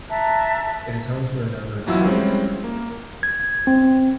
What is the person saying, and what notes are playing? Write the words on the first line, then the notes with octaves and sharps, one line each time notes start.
It is home to a number of stores.
E5 A5 A#5 F#6
A1 E2 F#3 E4 F4 E6
F3 G3 G#3 C4 C#4 E4
A#3
G#6
C4